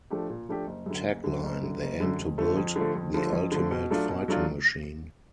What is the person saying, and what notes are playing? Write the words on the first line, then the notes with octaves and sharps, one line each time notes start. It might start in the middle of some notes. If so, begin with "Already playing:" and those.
Tagline: They aimed to build the ultimate fighting machine.
F3 A3 D4 G4
A#2
F3 A3 D4 G4
F#1
F#2 D3
F#1
F#2 D3
F#1
F#2 D3
F#1
F#2 D3
F2
D3 F3 A3
F2
D3 F3 A3
F2
D3 F3 A3
F2
D3 F3 A3
B2
F#3 A3 D4 F4
B2
F#3 A3 D4 F4